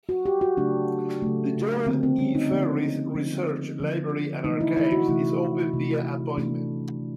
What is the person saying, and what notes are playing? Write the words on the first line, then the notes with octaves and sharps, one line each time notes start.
The Joel E. Ferris Research Library and Archives is open via appointment.
F#4
G4
F#4
C#3 F#3 A3 D4
C#3 F#3 A3
D3 F3 A#3 C4
C4
C#4
D#4
D3 F3 A#3
D3 F3 A#3
D3 F3 A#3
C3 E3 A3 D#4
E4
E4
F#4
C3 E3 A3 E4
C3 E3 A3
C3 E3 A3 D4